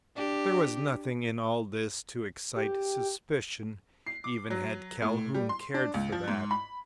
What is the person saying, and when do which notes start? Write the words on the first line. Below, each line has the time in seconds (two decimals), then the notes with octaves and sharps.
There was nothing in all this to excite suspicion--even had Calhoun cared for that.
0.16 D4 G4
2.56 G4
4.07 C7
4.24 D6
4.50 F#3
5.02 A2
5.34 G3
5.49 C6
5.74 D4
5.94 C#2
6.12 F3
6.28 G#2
6.51 B5